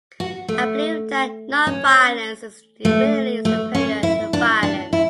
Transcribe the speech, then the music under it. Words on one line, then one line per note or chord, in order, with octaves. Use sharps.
I believe that non-violence is infinitely superior to violence.
F#4
A3
C#4
A3
A3
C#4
E4
D4
D4
E4